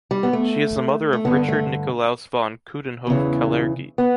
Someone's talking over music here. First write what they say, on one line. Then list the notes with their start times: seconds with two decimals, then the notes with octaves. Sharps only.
She is the mother of Richard Nikolaus von Coudenhove-Kalergi.
0.11 G3
0.23 B3
0.33 A3
1.13 A3
1.25 G2 D3 B3
1.48 A3
3.07 E2 C#3 E3
3.98 B3